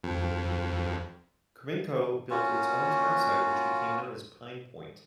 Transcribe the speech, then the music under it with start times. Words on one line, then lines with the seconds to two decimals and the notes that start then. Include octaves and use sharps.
Cominco built its own townsite which became known as Pine Point.
0.03 F2
2.30 A#3 C#4 F4 F#4